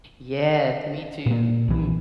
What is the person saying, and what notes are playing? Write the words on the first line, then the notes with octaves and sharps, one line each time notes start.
Yes, me too. Mm.
A#2 A#3
B1 E3